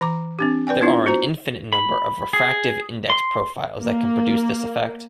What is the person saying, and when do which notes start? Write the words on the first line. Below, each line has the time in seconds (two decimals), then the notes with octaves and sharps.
There are an infinite number of refractive-index profiles that can produce this effect.
0.01 E3 A#5 D6
0.39 C4 D4 G4
0.67 B4 D5 G5 G#5
0.81 B3 D4 E4 F4
1.06 F#4 C5 A#5
1.73 B5
2.33 G#4
3.10 C6
3.80 A#3